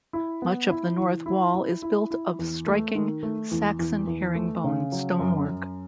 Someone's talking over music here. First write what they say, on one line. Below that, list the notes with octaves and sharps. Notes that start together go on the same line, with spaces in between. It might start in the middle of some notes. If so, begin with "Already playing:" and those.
Much of the north wall is built of striking Saxon herringbone stonework.
E4
B3
E4
E3
E4
E4
E4
E4
E2
A3
D#3
A3
E2
E2
E2
A3
C#3
F#3
F#2
F#2